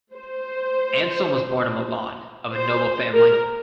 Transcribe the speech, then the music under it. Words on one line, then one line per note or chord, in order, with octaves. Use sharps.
Anselm was born in Milan of a noble family.
C5
C5
A#4